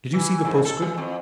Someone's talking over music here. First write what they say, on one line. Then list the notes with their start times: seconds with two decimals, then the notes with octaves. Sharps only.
"Did you see the postscript?"
0.13 E3
0.45 G#2
0.65 A4
0.82 E3
0.98 F2